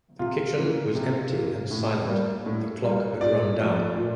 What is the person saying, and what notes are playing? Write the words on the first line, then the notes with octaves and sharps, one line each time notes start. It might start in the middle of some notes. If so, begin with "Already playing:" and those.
The kitchen was empty and silent; the clock had run down.
C3 F4
E3 A#3
C3
E3 A#3
A2
G3 A#3
A2
G3 A#3
A#2 D5
F3 A3
A#2